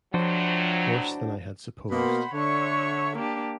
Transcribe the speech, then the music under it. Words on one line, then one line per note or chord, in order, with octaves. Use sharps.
Worse than I had supposed.
A2 F3 F#3 D4 F#4 C5
B2 A#3 C5 F#5 B5
D3 C#5 E5 C#6
A#3 D4 G4